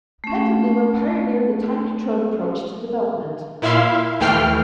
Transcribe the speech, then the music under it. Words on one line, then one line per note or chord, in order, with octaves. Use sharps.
Petaluma pioneered the time-controlled approach to development.
A3 C#4
A#2 E4 E5 F5 C6
D#2 E3 A3 G5 F6 C7